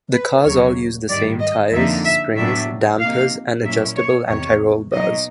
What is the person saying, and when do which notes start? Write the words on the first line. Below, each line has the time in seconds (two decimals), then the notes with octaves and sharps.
The cars all use the same tires, springs, dampers, and adjustable anti-roll bars.
0.12 B4
0.44 D#2 C#3 F#3 A#3 C#5
1.08 G#2 D#3 G3 D5
1.40 D#5
1.72 F2 D3 F3 A#3 D#4 E5
2.05 E5
2.36 A2 F#3 B3 D4 E5
3.00 C3 F3 A#3 D#4 F5
3.64 A#2 F#3 A#3 C#4 E4 E5
3.96 C#5
4.28 E2 C3 D#3 C#5
4.92 B2 F#3 A#3 D#4 D#5